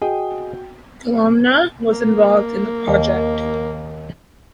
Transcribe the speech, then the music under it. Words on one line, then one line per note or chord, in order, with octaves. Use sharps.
Columna was involved in the project.
F#4 G#4 D#5 G5
A#3
D#2